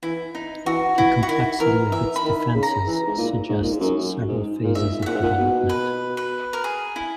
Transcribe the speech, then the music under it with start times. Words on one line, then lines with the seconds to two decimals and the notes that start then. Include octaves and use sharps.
The complexity of its defences suggests several phases of development.
0.03 E3 E4
0.35 D#4
0.66 E3 F#4
0.97 E3 E4
1.23 F#4
1.29 D#3 E4
1.60 E3 A#4
1.92 E3 E5
2.16 B5
2.23 D#3
2.55 C#3
2.63 A#5
2.87 E3
3.07 G#2
3.18 A#2
3.49 G#2
3.63 A#2
3.72 G#2
3.80 F#2
4.28 G#2
4.64 A#2
4.75 G#2 E5
5.02 E5
5.06 A#2 F#5
5.14 G#2
5.23 A#2
5.38 B2
5.69 B4
6.17 B4
6.53 A#4
6.64 G#4
6.96 E4